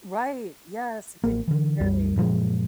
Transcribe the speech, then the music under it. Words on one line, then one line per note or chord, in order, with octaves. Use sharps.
Right. Yes, it can be scary.
A1 A#3
D3 E3
C2 F#2 G3
F#2 A#2 F3 G#3